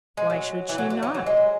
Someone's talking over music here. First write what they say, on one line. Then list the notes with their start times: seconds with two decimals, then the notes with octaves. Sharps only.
Why should she not?
0.17 G#3
0.30 F#3
0.69 E3
0.78 F#3
0.90 F#3
1.03 E3
1.15 F#3
1.26 G#3